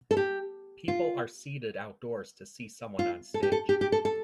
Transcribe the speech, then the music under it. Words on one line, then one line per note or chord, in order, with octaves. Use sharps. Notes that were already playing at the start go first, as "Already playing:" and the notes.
People are seated outdoors to see someone on stage.
A4
G4
F4
F4
A4
G4
A4
G4
G4
A4
A4